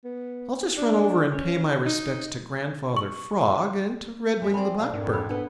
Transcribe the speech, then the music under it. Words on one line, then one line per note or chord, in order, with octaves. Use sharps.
I'll just run over and pay my respects to Grandfather Frog, and to Redwing the Blackbird.
B3
D4
C#4
D#4
C#6
F#2 G#3 E5
C4 D5 G#5 B5
B2 C5 F5 F#5
F2 G#2 D4 A#4
B5 E6
B3 D4 A4 B4